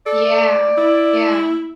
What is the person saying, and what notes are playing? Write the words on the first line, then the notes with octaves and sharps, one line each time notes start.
Yeah, yeah.
A4 D5
E4